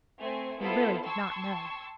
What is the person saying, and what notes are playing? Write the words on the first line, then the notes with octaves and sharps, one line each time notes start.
He really did not know.
A3 C4 G#5
B3 E4 F4 A4 C5
G5 A5 C6 C#6 E6 G#6